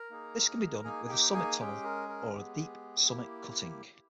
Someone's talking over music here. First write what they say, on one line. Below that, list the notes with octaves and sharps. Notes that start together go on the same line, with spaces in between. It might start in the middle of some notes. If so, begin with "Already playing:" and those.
This can be done with a summit tunnel or a deep summit cutting.
Already playing: A#4 A#5
A#3 D#4 G#4
A#3 D#4 G#4 G#5
G4 G5
G#4 G#5
G#3 C#4 G4 G#4 G5
A#4
A#4
G#3 B3 G4 G#4
A#3 E4 G4